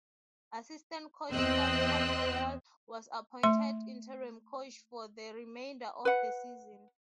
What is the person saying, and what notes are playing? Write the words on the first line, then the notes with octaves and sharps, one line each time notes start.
Assistant coach Scott Camporeale was appointed interim coach for the remainder of the season.
E2 C4 D#5 C6 E6 F#6
A3 C6
B4 F#5